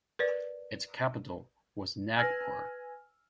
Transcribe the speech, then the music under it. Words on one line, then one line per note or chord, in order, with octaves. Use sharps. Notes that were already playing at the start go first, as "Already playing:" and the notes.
Its capital was Nagpur.
A#4 B4 D5
B4 G#5 E6 F6 A#6 F#7